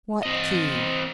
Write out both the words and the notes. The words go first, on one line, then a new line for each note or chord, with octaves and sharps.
"What key?"
C4 D#5